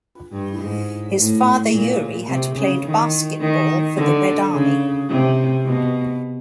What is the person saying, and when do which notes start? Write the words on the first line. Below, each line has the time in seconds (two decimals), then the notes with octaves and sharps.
His father Yury had played basketball for the Red Army.
0.31 G2
0.59 G#2
1.16 A2
1.72 A#2
2.27 C3
2.56 C#3
2.84 D#3
3.40 D#3
3.97 D3
4.53 C#3
5.09 C3
5.65 B2